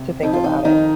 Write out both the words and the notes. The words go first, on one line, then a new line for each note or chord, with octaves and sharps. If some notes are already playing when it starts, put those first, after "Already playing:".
to think about it.
Already playing: C3
F2 D#4
F4
D#4
D#3 D#4